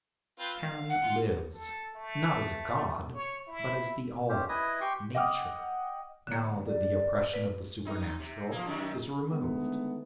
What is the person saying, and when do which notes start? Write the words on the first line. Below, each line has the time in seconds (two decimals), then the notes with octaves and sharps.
Pan lives, not as a God, but as the All, Nature, now that the oppression of the Supernatural is removed.
0.40 C4 F4 B4
0.54 F5
0.90 F#5
1.03 F4
1.54 A4
1.95 A3
3.14 C#5
3.48 E4
4.29 C#4 G4 C5
4.49 E4 B4 D#5 G#5 D#6
4.81 G4 G5 C6 C#6
5.15 D#5 F#5 G5 D6 D#6 F6
6.27 D3 A#3
6.65 D5
7.34 B4
7.85 C4 D#4
8.20 C3
8.52 F3 A#3
8.65 F#2 C3 D#3
9.30 D3 D#3 G#3 A3 B3